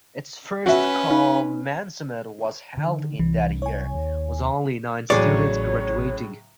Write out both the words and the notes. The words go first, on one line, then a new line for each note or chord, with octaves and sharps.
Its first commencement was held in that year, with only nine students graduating.
C#4 F#4 B4 E5
D#4
D3 D#3
C2 C3 E3
C#5 G#5
D#2
A1 A2 C#3 F#3 G#4 C#5 D5 C#6